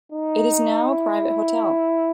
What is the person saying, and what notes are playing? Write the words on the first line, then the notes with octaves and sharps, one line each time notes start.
It is now a private hotel.
D#4
E4